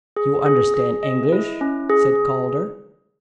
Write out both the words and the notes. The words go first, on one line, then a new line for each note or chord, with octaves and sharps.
"You understand English?" said Calder.
G#4
G#4
G#4
D#5
E4
C#4
G#4